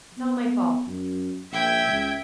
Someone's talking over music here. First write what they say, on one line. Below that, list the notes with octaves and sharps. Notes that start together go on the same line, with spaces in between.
It's all my fault.
B3
F#2
A#1 E5 G5 G#6
C#2